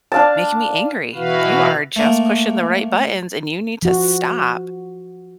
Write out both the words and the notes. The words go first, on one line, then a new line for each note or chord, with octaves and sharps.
making me angry, you are just pushing the right buttons and you need to stop."
D4 F5 A5
B2 E3 E4 F#4 B4 F5
A3 A#3
F3 F#4